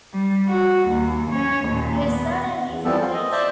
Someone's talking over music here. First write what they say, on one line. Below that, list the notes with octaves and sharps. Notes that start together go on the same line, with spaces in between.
His surname is Polish.
G3
F#4
D#2
C#4 C#5
D#2 A#2
B3
E2
E3 F3 G3 B3 C4 A4
C4 F4
D#5
C5 D5 E5 A5